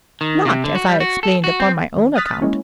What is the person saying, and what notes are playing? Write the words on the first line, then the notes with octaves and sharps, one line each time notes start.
Not, as I explained, upon my own account.
D#3
C3
D3
F#4
G3
F#4
A4
F#4
C4
D#3
D#6 F6 F#6 A6 B6
G#3 A#3 C#4 E4